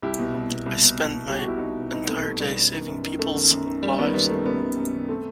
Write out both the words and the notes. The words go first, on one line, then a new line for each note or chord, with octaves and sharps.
I spend my entire day saving people's lives.
C2 E4 G4
B2
C2
B2
C2
B2
C2
B2
C2 G4
F#4
B2 E4
C2 D#4 F#4
B2
C2 B3 D#4
B2 A3 C4
C2 A3
B2 G3 B3
F#2
D#3
F#2
D#3
F#2 A3
D#3
F#2
D#3
F#2 G3
D#3 G3 B3
F#2 G3 B3
D#3 A3
F#2 G3 B3
D#3
F#2
D#3
A3 C4